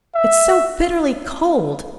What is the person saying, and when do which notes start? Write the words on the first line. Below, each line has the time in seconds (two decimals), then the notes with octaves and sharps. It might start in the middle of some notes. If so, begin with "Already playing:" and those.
It's so bitterly cold.
0.15 E5